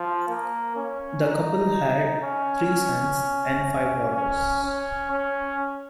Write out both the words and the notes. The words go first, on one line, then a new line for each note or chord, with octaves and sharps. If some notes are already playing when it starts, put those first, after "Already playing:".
The couple had three sons and five daughters.
Already playing: F3
A#3
C#4
D#4
C#4
C#4
C#4
C#4